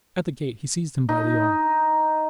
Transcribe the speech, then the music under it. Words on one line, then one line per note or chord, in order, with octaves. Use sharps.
At the gate, he seized him by the arm.
D#4